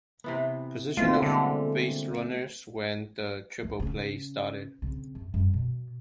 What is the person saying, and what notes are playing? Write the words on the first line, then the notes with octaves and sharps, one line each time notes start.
Position of baserunners when the triple play started.
C3 E3 B3
B2 E3 A3 A#3 C4 F4
D3 G3 G#3
A3 C#4
C#3 C#4
C#3 C4
F#2
F#2 G3
B2